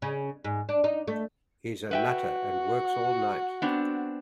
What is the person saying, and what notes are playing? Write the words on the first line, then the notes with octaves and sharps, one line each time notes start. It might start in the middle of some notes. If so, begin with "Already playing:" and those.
He's a nutter and works all night.
C#3
G#2
D4
D#4
A3
F#4 B4 E5 G5
B3 C4 D4